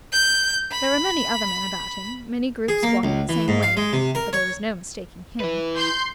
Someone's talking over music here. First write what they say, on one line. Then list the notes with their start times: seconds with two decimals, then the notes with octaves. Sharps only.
There were many other men about him, many groups walking the same way, but there was no mistaking him.
0.12 G6
0.71 B5
2.69 G#4
2.83 A#3
3.03 C#2
3.29 E3
3.48 G#2
3.63 F5
3.77 G#3
3.93 C3
4.15 A#4
4.33 C#5
5.40 E4 B4
5.76 C6 G6